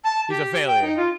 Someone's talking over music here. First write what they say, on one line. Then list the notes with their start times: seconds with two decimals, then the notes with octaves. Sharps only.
He's a failure,
0.04 A5
0.29 G4
0.66 G5
0.82 D#4
0.97 F4